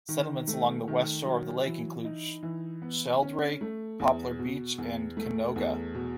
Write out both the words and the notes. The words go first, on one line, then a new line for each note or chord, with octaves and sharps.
Settlements along the west shore of the lake include Sheldrake, Poplar Beach, and Canoga.
D#3
A3
D#3
F#3
E3
D#4
E3
B3
C#4
A3
E2
B2
E2
A3
E2
B2